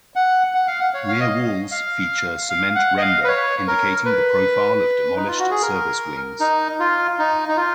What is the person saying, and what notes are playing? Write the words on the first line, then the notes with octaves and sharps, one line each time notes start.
Rear walls feature cement render indicating the profile of demolished service wings.
F#5
F#5
F5
F#5
C#5
F5
D#5
F5
F5
F#5
D#5
F5
B4
C#5
A#4
B4
D#4
F4
F#4
G#4
A#4
D#4
F4
D#4
D#4
F4